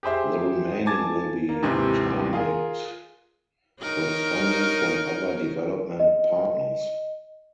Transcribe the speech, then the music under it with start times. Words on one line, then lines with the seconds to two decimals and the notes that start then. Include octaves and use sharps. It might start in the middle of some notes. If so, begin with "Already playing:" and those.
The remaining will be tarmacked with funding from other development partners.
0.03 G4 G#4 C5 E5
0.86 G#5 A5 D6 G#6 A6
1.49 A#3
1.63 D#2 G#2 C3 E3 C4
2.33 F4 G#4 A#4
3.81 D#4 A#4 C#5
6.00 D#5